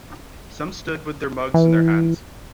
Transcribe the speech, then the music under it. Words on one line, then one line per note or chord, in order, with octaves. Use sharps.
Some stood with their mugs in their hands.
E3